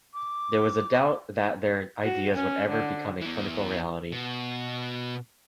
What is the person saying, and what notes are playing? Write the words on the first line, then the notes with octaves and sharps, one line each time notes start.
There was doubt that their ideas would ever become a clinical reality.
D6
F#4
C#4
D3
E2 E3
B2